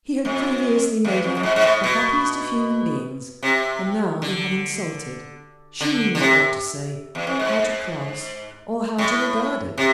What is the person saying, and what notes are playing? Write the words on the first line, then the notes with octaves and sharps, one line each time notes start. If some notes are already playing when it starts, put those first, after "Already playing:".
He had previously made her the happiest of human beings, and now he had insulted--she knew not what to say, how to class, or how to regard it.
F2
E2
F2
F2
G#2
G#2
A2
B2
C3
D3
D3
D3
C3
E2
F2
G#2
A2
C3